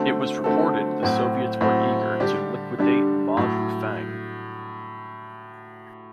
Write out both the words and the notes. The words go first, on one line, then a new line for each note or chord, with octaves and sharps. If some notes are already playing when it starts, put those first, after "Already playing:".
It was reported the Soviets were eager to "liquidate" Ma Bufang.
Already playing: D3 A3 C4 F#4 A4
D3 A3 C4 F#4 A4
A2 F#3 C4 F#4
A2 F#3 C4 F#4
D3 G3 D4 G4
D3 G3 D4 G4
A2 F#3